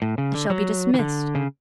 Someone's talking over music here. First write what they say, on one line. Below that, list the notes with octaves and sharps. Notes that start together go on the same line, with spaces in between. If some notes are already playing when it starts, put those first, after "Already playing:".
I shall be dismissed.
A2
C#3
D3
F#3
E3
D3
C#3